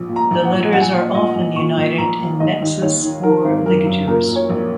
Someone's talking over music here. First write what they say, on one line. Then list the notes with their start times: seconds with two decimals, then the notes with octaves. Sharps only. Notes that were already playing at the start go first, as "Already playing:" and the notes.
The letters are often united in nexus or ligatures.
Already playing: A#1
0.09 A#2
0.16 A#5
0.31 A#1
0.45 F#5
0.52 A#1
0.72 A#1 F#5
0.81 G#5
0.91 F#5
0.94 A#2
1.14 A#2 D#5
1.35 A#1
1.56 A#2 C#6
1.77 A#1
1.98 A#1 A#5
2.19 A#2
2.40 D#2 D#5
2.61 D#2
2.82 D#2 C#5
3.03 D#3
3.23 D#3 A#4
3.45 G#1
3.66 F#2 A#4
3.87 F#2
4.07 A#2 A#4
4.28 A#2
4.36 C#5
4.49 A#1